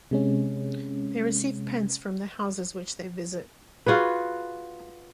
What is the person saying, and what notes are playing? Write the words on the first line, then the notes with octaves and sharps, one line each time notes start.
They receive pence from the houses which they visit.
C3 G#3 C#4
F4 F#4 G#4 B4